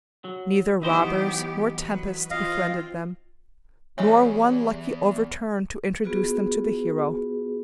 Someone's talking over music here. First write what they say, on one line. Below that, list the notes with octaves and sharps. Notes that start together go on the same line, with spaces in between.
Neither robbers nor tempests befriended them, nor one lucky overturn to introduce them to the hero.
F#3
E3 F#3 B3 D#4 G4 C5
F#3 B4
C4 F4 D#5 F5
E2 G3 G#3 C#4 C#5 E5 G#5
B3 F4 F#4 G#4 B4